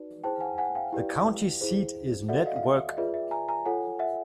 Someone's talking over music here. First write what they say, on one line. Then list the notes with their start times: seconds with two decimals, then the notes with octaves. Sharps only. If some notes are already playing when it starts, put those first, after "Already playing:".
The county seat is Network.
Already playing: D#4 F#4 B4 D5
0.24 E4 G#4 C5 G5 A5
0.41 F#5 G#5
0.58 F#5 G#5
0.75 F5 G5
0.93 E4 G4 B4 D5
1.61 E4 G#4 C5
2.29 F#4 A4 D5 E5 F#5
2.46 D#5 F5
2.56 F5
2.63 E5
2.97 F4 G#4 B4 D5 E5
3.14 E5
3.31 G#5 A#5
3.48 G#5 A#5
3.65 F4 A4 C#5 F#5 G#5
3.99 E5 F#5